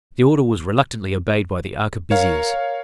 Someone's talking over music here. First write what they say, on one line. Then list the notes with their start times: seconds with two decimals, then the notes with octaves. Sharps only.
The order was reluctantly obeyed by the arquebusiers.
2.11 A#4 C#5 F5